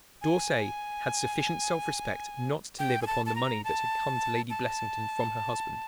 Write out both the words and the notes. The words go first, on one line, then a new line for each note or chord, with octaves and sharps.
D'Orsay had sufficient self-respect not to live upon the money that had come to Lady Blessington from her husband.
G#5
G5
G#5
A5
A5
A#5
A5
A5